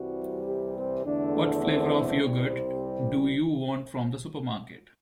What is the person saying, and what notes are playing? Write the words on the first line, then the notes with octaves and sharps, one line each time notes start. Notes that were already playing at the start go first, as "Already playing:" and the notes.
What flavour of yoghurt do you want from the supermarket?
Already playing: C2 C3 E3 G3 F#4
G4
C4
E2 D3 A3 D4
C4
C2 C3 G3 C4